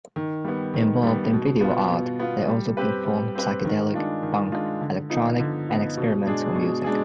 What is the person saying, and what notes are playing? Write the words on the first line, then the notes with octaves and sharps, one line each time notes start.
Involved in video art, they also performed psychedelic, punk, electronic and experimental music.
D#3
G3 B3
D#3
G3 B3
B2
B3 F4
B2
B3 F4
G3
C4 G4 B4
G3
C4 G4 B4
D#3
G#3 D4 F4
D#3
G#3 D4 F4
D3
F3 B3 D#4
D3
F3 B3 D#4
B2
G#3 D4 G#4
B2
G#3 D4 G#4